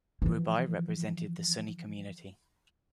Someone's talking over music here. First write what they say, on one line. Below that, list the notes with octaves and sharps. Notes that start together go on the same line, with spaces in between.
Rubai represented the Sunni community.
E3 F3